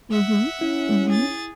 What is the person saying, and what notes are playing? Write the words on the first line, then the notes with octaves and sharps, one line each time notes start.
Mhm, mhm.
E5 F#5
C#4 E4
G#4 A6